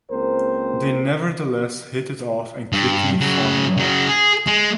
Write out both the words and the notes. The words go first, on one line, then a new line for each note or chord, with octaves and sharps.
They nevertheless hit it off and quickly fall in love.
C#2 A#3 C4 A#4 C5
G2
C#3 F#3
C#3 F#3
G#4
G#3